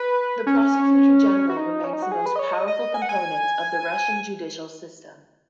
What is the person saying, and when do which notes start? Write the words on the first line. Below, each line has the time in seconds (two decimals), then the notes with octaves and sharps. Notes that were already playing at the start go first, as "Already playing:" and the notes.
The Prosecutor General remains the most powerful component of the Russian judicial system.
Already playing: B4
0.47 C#4
1.49 F#4
1.57 D#4
1.84 C#4
1.93 D#4
2.02 F#4
2.12 G#4
2.26 B4
2.36 D#5
2.39 C#5
2.53 D#5
2.67 D#5
2.94 G#5
3.02 F#5
3.09 G#5